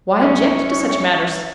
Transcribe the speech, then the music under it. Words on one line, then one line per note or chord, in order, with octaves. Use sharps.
Why object to such manners?
C2 F#2 C#4 C#5